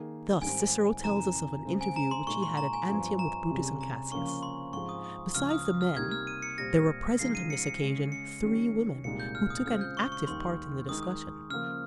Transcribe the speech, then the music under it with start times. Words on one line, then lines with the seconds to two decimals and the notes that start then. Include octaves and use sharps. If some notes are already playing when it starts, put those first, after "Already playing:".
Thus, Cicero tells us of an interview which he had at Antium with Brutus and Cassius. Besides the men, there were present on this occasion three women, who took an active part in the discussion.
Already playing: D#3 A#3 D#4 G#4
0.42 G#2 D#3 G3 C4 D#4 G#5
1.03 F2 C3 D#3 A#5
1.65 C#3 G#3 C4
1.81 G#5
1.96 A#5
2.11 C6
2.27 A#2 G#3 D#4 G#4 C#6
2.43 C6
2.57 A#5
2.73 G#5
2.88 G2 F3 C4 F4
3.19 A#5
3.51 C2 C3 G3 C#4 G#4
3.81 A#5
4.11 C#3 F3 A#3 C#4 C#6
4.28 C#6
4.43 C6
4.73 G#2 F3 C4 F4 G#4 C#6
4.89 D#6
5.04 D#6
5.35 C#2 C#3 F3 F6
5.50 D#6
5.65 D#6
5.81 F6
5.96 C3 G3 A#3 D#4 G4 G#6
6.12 F6
6.27 D#7
6.42 C#7
6.58 A#2 G3 C4 G4 A#6
7.19 C#3 F3 G#3 D#4 C7
7.35 D#7
7.50 C#7
7.66 C#7
7.81 C#3 G#3 C#4 G#4
8.12 C#7
8.43 D#3 G3 C#4
9.04 C2 A#2 G#3 D#4 G4 C#7
9.20 G6
9.35 F6
9.50 D#6
9.66 C#3 G#3 C4 F4 F6
9.81 G6
9.97 C#6
10.12 C#6
10.27 D#2 D#3 G3 C6
10.89 D#3 G#3 D#4 D#6
11.50 C#3 F3 A#3 F6